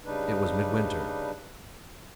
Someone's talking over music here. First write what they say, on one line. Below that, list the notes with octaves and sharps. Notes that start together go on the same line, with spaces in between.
It was midwinter.
C#3 G3 D4 D#4 B4